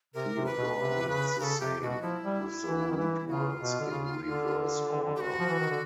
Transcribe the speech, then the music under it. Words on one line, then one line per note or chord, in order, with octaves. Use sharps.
Theodore means the same, with the root words in reverse order.
C3 A#4
C3
B4
B2
C3
C3
C#3
C#3 A4 A#4
C3 G4
B2 F#4
F3 E4
G3
E3
D#3
E3
C#3 F4 F#4
B2
D3
C#3
D3
G4
F#4
F3
E3
D#3
D3